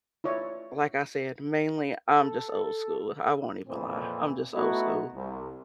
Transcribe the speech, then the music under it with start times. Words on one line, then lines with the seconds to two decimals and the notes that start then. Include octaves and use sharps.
like I said, mainly I'm just old school, I won't even lie. I'm just old school.
0.24 E4 F4 C#5 D5
2.10 A4
3.68 F2 A#2 E3 C4
4.54 A3 B3 D#4 E4 F#4
5.15 C2